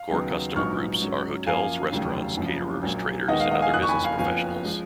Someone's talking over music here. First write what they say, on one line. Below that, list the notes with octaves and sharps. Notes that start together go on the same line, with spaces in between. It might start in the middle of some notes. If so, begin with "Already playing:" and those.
Core customer groups are hotels, restaurants, caterers, traders and other business professionals.
Already playing: F5
D#2 C#3 F#3 B3 D#4
A#1 G#2 F#3 B3 D#4 C#6 F6
G#2 F#3 C#4
F#2 F3 A#3 F5 G#5
F1 D#2 C#3 F#3
F#1 F#2 F3
A#1 A#2 F#3
D#2 D#3 G#3 B3 D#5 F#5
F5
D#5 F#5
F5 G#5
F#1 F2 D#3 D#6 F#6
C#6
G#5 B5
F5 G#5
F#1 F2 F3 B3 F5 G#5
F3 G#3